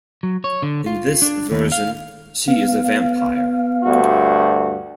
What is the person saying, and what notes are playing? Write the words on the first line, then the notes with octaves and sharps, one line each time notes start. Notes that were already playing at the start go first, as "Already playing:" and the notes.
In this version she is a vampire.
F#3
C#5
D3
F4
D4
D#2
F5
B3 F5
D2 G2 F#4